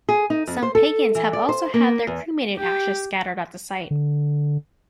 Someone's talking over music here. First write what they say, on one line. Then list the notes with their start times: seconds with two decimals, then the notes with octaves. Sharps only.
Some Pagans have also had their cremated ashes scattered at the site.
0.09 G#4
0.30 D#4
0.47 F2
0.63 C5
0.75 A4
1.15 E3
1.33 D5
1.49 C5
1.74 A#3
2.07 E2
2.56 G4
3.91 D3